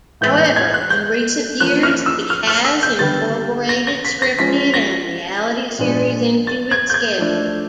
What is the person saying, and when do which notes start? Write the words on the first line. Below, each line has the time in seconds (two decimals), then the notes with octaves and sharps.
However, in recent years, it has incorporated scripted and reality series into its schedule.
0.21 A2 E3 G#3 B3 G6
0.38 G6
0.56 G#6
0.74 F#6
0.90 G6
1.60 F3 A#3 C#4 F#6
1.83 F6
2.06 E6
2.30 F6
2.47 F6
2.65 E6
2.83 G6
2.99 D3 G3 B3 A6
3.69 A#6
3.87 A#6
4.05 B6
4.22 A#6
4.39 F3 G#3 C#4 B6
4.74 A#6
5.79 A#2 F3 G#3 B3 D4
6.47 A6
6.71 G#6
6.90 G6
6.94 G#6
7.18 F3 A3 D4